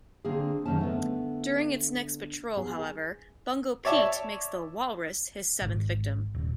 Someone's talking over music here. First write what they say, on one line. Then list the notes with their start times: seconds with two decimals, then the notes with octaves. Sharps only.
During its next patrol, however, Bungo Pete makes the "Walrus" his seventh victim.
0.25 D3 A#3 C4 G#4
0.65 F#2 D#3 A#3 C#4 A5
0.79 D3 A3 B3
2.56 B3 G#4
3.85 C#5 D5 E5 A5
5.62 G#1
6.35 D#1